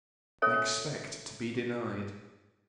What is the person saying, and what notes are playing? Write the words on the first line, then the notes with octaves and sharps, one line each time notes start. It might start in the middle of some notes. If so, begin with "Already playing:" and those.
I expect to be denied.
C#4 A4 C#5 E5 G#5